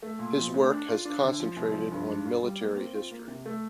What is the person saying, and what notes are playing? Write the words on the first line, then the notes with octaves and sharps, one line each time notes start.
His work has concentrated on military history.
A3
A#2
F3
D2
D4
F4
D4
D3
F3
C2
F3
G2
D4
F4
G3
A#3
C4
F4
A#3
C3
A3